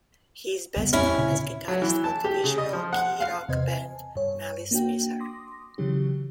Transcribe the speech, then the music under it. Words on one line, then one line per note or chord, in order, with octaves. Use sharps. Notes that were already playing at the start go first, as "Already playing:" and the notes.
He is best known as guitarist for the visual kei rock band Malice Mizer.
C#2 G2 B3
A1 E2 C4 C#4 E4 G#5
D2 A#2 C#3
F#3
E3
A5
G4
C#3
D#5
F3
F#5
F5
E2 C3 B4 C5 D#5 G#6
G#5 A5
G2 C#5
A#3 D4 F#4 G5
C6 D6 D#6 A#6
C#3 E3 F#3 C#4 G4